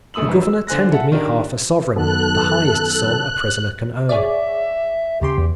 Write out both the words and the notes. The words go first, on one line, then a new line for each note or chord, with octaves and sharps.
The Governor tendered me half a sovereign, the highest sum a prisoner can earn.
A#1 A3 D#6 E6 F#7
G#2 E3 G3
E6
D3 C5 G#5 F#6 A#6
A4 E5 F#5 A5
D#3 D4 G4 A#4
F#2 D#3 B3 A4 F#6
G#4 C#5 D5 E5
D#2 C#3 G4 C6
E2